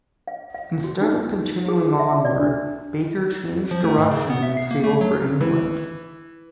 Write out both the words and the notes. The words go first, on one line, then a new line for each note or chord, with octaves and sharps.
Instead of continuing onward, Baker changed direction and sailed for England.
F5
F5
F#4
D#4
G#4
E5
D5
D4
F3
A3
G#2
C#3
B3
E5
C7
A#3
A3
F#3
E3